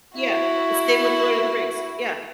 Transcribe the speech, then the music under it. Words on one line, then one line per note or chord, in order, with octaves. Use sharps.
Yeah, the same with Lord of the Rings, yeah,
E4 F#4